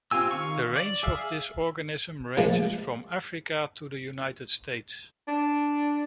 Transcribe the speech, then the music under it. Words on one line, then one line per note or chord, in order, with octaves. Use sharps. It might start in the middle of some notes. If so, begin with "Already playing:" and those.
The range of this organism ranges from Africa to the United States.
C4 F4 G4 G#5 E6
D#3 F5 C#6
D5
G#4 E5 F5
A#2 F3 G#3 A3
D4